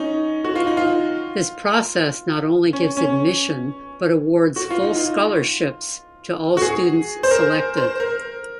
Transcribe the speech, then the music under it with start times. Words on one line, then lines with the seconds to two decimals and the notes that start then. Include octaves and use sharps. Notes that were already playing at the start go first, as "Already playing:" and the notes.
This process not only gives admission but awards full scholarships to all students selected.
Already playing: C#4 D#4
0.44 F#4
0.55 F4
0.67 D#4
0.77 F4
2.73 C#4
2.97 C#4
4.56 F#4
4.70 F4
4.83 D#4
4.96 F4
6.57 F#4
6.62 G#4
7.23 C5
7.31 A#4
7.77 C5
8.00 A#4